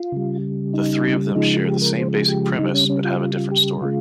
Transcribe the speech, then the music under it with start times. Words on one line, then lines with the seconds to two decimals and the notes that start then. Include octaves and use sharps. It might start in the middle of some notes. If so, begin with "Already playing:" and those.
The three of them share the same basic premise but have a different story.
Already playing: F4
0.12 C#3 G3
0.73 D#4
1.35 C#3 F3 G#3 D#4
1.66 G4
1.82 A#4
1.97 C5
2.13 G#4
2.28 G4
2.59 C#3 G3 D#4
2.74 C#4
2.90 C#4
3.04 F4
3.20 F4
3.36 F4
3.51 G4
3.81 C#3 G#3 F4